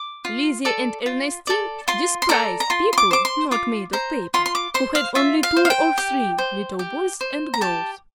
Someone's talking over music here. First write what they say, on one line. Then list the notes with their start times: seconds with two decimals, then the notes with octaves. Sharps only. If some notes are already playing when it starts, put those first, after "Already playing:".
Lizzie and Ernestine despised people not made of paper, who had only two or three little boys and girls.
Already playing: D6
0.25 F4
0.65 A4 D5
1.06 F4
1.47 A4 D5
1.88 F4 C6
2.22 C6
2.29 A4 D5 A#5
2.60 A#5
2.70 F4 C6
2.93 C6
2.98 D6
3.11 C5 D6
3.25 C6
3.51 F4 D6
3.93 C5 A#5
4.34 F4 C6
4.46 C6
4.55 D6
4.74 C5 C6
4.95 F5
5.15 F4 E5
5.43 F5
5.57 C5
5.65 F5
5.70 G5
5.98 G4
6.38 C5
6.79 G4
7.21 C5
7.54 A#5
7.61 G4 A5